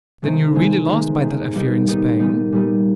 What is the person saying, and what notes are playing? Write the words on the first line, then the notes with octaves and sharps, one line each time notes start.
"Then you really lost by that affair in Spain?"
C3 D#3 G#3 B3
C3 D#3 G#3 B3
C3 D#3 G#3 B3
C3 D#3 G#3 B3
A#2 G3 B3 D#4
A#2 G3 B3 D#4
A#2 G3 B3 D#4
A#2 G3 B3 D#4